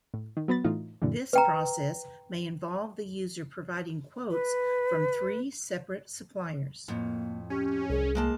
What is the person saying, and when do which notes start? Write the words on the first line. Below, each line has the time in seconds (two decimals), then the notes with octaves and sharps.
This process may involve the user providing quotes from three separate suppliers.
0.14 A2
0.37 D#3
0.48 F#3 B3 B4 A6
0.64 A2 E3 D#4 F4
1.02 F#2 A#2 D3 E3
1.33 B4 G5 A#5
4.31 B4
6.88 F2 A2 A#3
7.50 C#4 G4
7.90 C2 G#4
8.15 G#3 A#3 A5